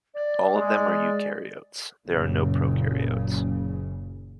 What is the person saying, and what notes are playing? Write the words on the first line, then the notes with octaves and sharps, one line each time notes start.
All of them are eukaryotes, there are no prokaryotes.
D5
G#3
F#1 A#2 C#3